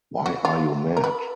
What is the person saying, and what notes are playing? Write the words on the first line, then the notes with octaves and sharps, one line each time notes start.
Why are you mad?
F#4
F4
A#4
B4